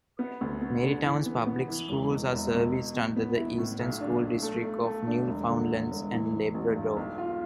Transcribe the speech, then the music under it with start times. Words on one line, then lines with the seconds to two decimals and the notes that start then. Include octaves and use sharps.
Marystown's public schools are serviced under the Eastern School District of Newfoundland and Labrador.
0.19 B3
0.41 D2
0.61 B3
0.83 D3
1.04 E3
1.26 B3
1.46 B3
1.68 E3
1.89 E1
2.09 B2
2.32 E1
2.53 B2
2.74 B2
2.94 B2
3.16 B3
3.37 E4
3.58 A2
3.79 B1
4.00 D4
4.22 B1
4.42 A3
4.64 A3
4.86 A3
5.07 D4
5.28 E1
5.49 D3
5.70 E2
5.91 E1
6.12 E3
6.33 E3
6.54 A1
6.75 G2
6.97 B1
7.18 F4